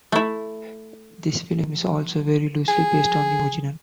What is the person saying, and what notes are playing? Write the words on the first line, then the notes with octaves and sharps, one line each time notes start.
This film is also very loosely based on the original.
A3 E4
G#4